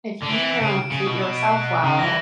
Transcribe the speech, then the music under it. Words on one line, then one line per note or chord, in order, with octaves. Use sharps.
if you don't treat yourself well,
D3
E3 D7
E7
D7
C#3 C#7
C#3 C#7
B2
E7
D7
F#6
C#3
E3 A#6